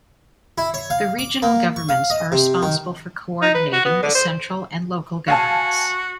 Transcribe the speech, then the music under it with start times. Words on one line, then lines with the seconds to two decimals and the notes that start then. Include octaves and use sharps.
The regional governments are responsible for coordinating the central and local governments.
0.58 E4
0.74 C#5
0.90 F5
1.19 D6
1.42 A#3
1.76 C#6
1.89 F5
2.10 D#5
2.32 C3
2.62 D#3
3.42 D#4
3.55 B4
3.73 F#4
3.85 B3
4.03 D3
4.15 C5
5.28 F#4 F5 G#5 A5